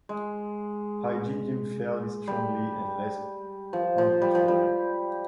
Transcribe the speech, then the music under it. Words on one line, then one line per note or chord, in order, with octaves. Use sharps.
Pygidium fairly strongly and less punctured.
G#3
G3
F3
F3
G3
F3
G3